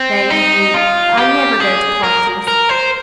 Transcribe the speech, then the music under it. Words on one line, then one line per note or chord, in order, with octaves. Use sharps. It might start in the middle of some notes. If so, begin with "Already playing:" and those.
'Thank you, I never go to parties.'
Already playing: C4
D#4
F4
G4
G#4
A#4
A#4
C5